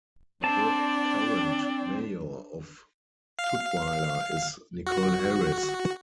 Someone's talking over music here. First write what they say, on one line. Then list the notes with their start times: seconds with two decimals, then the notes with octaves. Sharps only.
The current mayor of Tutwiler is Nichole Harris.
0.44 C4 D4 D5 A5
3.39 F5
4.87 F#4